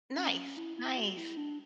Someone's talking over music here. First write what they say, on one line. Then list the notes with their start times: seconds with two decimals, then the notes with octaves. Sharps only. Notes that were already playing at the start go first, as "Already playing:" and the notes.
Nice. Nice.
0.17 C#4
0.57 E4
0.77 E4
0.98 F#4
1.17 E4
1.37 D4